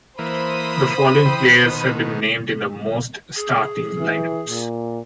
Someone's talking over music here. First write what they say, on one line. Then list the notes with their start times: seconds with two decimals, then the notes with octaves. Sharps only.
The following players have been named in the most starting line-ups.
0.19 E3 A#3 C5 B5 D#6
1.25 E3 G5 C6
1.63 B2 D#3
3.36 G#4
3.98 E3
4.48 A#2